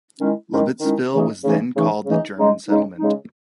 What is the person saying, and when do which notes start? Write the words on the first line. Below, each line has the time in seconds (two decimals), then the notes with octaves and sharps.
Lovettsville was then called The German Settlement.
0.19 D#3 G#3 C#4 E4
0.50 D#3 G#3 C#4 E4
0.81 D#3 G#3 C#4 E4
1.13 C#3 E3 A3 D#4
1.44 C#3 E3 A3 D#4
1.75 C#3 E3 A3 D#4
2.05 C#3 E3 A3 D#4
2.38 C#3 G#3 D#4
2.68 C#3 G#3 D#4
2.99 C#3 G#3 D#4